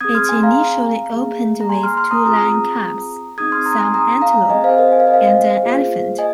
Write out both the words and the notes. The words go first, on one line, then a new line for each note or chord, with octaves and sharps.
It initially opened with two lion cubs, some antelope, and an elephant.
C4 G#4 D#6 G#6
C6 F6
G#5 C6
F5 A#5
A#3 G#4
A#5
G#5 C6
C6 F6
C6 F6
A#5 D#6
C4 F4 G#4 A#5 D#6
C4 D#4 G#4 D#6 G#6
C6 F6
A#5 D#6
G#5 C6
A#5 D#6
F5 A#5
C4 G#4 D#5 G#5
C5 F5
A#4 D#5
G#5
F5
D#5
C5 F5
A#3 F4 G#4
D#5 G#5